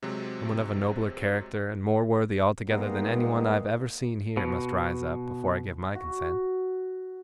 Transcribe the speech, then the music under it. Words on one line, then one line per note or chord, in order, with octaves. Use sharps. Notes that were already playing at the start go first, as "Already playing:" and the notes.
Someone of a nobler character, and more worthy altogether than anyone I have ever seen here, must rise up, before I give my consent.
C3 F#3 G#3 C4
G3 G#3 A#3 B3 D#4
B2
F#4